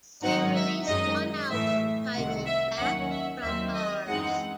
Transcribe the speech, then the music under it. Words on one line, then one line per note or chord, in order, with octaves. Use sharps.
They released one album titled "Back From Mars".
G#2 D#3 F#3 C4 D#4 F#5
E5
F#2 D#3 G#3 D#4 D#5
A2 E3 A3 E5
C2 C3 D#3 F#5
E5
D#2 D#3 F#3 C#4 F#5
E5
D#2 D#3 F#3 C4 E5
D#5
F#2 E3 G#3 C4 D#4 F#5